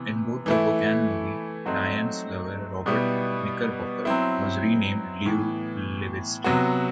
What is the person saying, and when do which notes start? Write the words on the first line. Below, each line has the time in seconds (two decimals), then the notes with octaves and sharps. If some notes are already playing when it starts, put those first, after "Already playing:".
In both the book and movie Diane's lover, Robert Knickerbocker, was renamed Lew Lewiston.
Already playing: C3 E3 B3
0.46 E3 A3 E4
1.66 F#3 A3 C4 D#4 F#4
2.86 B2 G3 B3 E4
4.05 F#3 C4 E4
5.26 A2 E3 B3
6.44 C3 F#3 B3 F#4